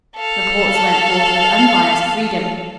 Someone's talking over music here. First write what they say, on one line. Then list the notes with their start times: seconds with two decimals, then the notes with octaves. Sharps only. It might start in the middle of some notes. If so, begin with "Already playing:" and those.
Reports went forth with unbiased freedom.
0.16 A4 F5